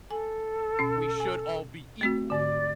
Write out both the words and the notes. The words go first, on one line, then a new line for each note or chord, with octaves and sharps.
we should all be equal,
A4 G#5
B2 C#4
G#5
A3 C4 F#4
G#2 D3 D5